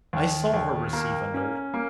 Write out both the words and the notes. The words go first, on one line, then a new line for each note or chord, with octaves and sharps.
'I saw her receive a note.
D#2
D#2
A#3
C#4
A#3